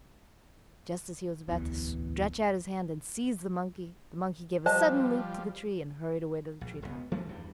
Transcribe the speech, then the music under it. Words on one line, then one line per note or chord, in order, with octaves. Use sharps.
Just as he was about to stretch out his hand and seize the monkey, the monkey gave a sudden leap to the tree and hurried away to the tree top.
D1 A1 E2 E3
F3 G3 C5 D#5 A5
A#1
E1 C#2 D3 B3
E3 A3 C#4
E2 G2 G3